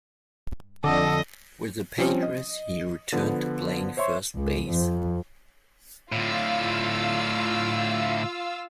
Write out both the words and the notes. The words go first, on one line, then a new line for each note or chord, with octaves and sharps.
With the Padres, he returned to playing first base.
F2 D3 A4 D#5
F3 G3 C4 C#4
D#5
D3 F3 B3
C5 C#5 E5 C6 C#6
C#2
F2
A2 D3 F4 F5 E6